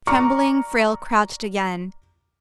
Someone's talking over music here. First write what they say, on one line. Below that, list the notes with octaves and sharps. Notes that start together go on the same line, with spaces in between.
Trembling, Frale crouched again.
D5 A#5 C#6 D6 F6 C#7